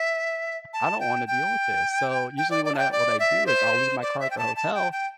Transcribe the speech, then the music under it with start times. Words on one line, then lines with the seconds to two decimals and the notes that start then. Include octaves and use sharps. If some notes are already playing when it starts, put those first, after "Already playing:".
"I don't wanna deal with this." So, usually when I what I do is I'll leave my car at the hotel,
Already playing: E5
0.73 A5
1.00 G5
1.27 G5
2.37 G5
2.51 D5
2.65 D5
2.75 A5
2.78 G5
2.92 D5
3.20 E5
3.46 C5
4.02 D5
4.20 E5
4.31 G5
4.38 A5
4.56 A5
4.74 G5
4.92 G5